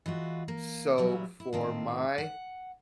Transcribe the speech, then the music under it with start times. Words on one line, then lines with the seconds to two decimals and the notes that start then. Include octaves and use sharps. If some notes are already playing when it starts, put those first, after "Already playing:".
so for my,
0.06 E3 G#3 F4 F#4
0.48 A#3
0.98 A#2 F#3 G3 E4
1.40 E4
1.53 A2 D#3 C4 F4
2.18 F#5